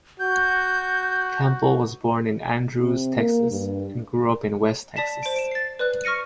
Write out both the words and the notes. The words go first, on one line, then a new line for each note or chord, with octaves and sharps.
Campbell was born in Andrews, Texas and grew up in west Texas.
F#4 G6
C3
A#3
G2
D5 A5 B6 E7
C5 D7
D7 E7
A6 C7
B4 D5 F#6
C#6 F6 A#6 C#7 D#7